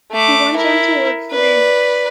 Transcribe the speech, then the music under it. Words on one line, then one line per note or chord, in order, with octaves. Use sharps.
He went on to work for Gainax.
A3 D6
E4 A#4
B4 D5